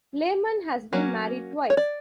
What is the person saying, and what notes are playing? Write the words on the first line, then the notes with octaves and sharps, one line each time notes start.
Lemann has been married twice.
F#3 A#3 C#4
C#5
D5